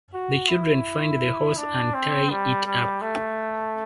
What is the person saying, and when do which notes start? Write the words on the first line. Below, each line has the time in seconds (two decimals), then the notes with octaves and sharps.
The children find the horse and tie it up.
0.14 F#4
0.49 E4
1.57 D4
1.94 C4
2.30 G3
2.66 G3
3.01 A3